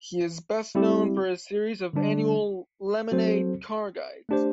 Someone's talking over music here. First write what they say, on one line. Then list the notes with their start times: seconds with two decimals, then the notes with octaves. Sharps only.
He is best known for his series of annual "Lemon-Aid" car guides.
0.75 G3 C4 E4 G4
1.93 D3 G3 D4
3.11 F#3 C4 F#4 A4 C5
4.29 A3 D4 G4 C5